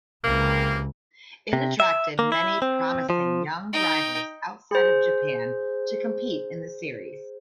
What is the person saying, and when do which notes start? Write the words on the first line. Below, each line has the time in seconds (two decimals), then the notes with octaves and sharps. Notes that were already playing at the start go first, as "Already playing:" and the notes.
It attracted many promising young drivers outside of Japan to compete in the series.
0.25 C#2 C3 A#3
1.53 C3
1.80 E5
2.19 A#3
2.32 E4
2.62 C4
3.10 F3
3.73 D#4 G5
4.71 G#4 C5